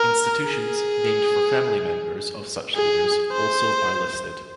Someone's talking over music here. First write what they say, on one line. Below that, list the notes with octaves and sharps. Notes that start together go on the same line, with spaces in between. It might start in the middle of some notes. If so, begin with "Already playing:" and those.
Institutions named for family members of such leaders also are listed.
Already playing: A#4
G#4
G#4
C5